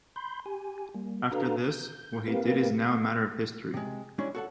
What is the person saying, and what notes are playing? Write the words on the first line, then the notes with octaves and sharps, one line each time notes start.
After this, what he did is now a matter of history.
B5 C6 G6
G4 G#5
G3 A#3
D4 F#4 A4 B4 F5 A#5
G6
A#3 C4 G4 A#4 B4 F5
C3 G#3
G3 G#3 C#4 D4 E4
F#4 A4 F#5